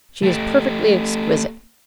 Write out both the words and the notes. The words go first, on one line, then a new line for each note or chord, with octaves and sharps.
She is perfectly exquisite.
A3 G4